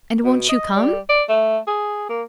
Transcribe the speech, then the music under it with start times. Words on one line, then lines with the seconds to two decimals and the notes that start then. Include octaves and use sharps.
'And won't you come?'
0.24 B2
0.49 D#5
0.75 G3
1.09 D5
1.29 A3
1.67 G#4
2.09 A#3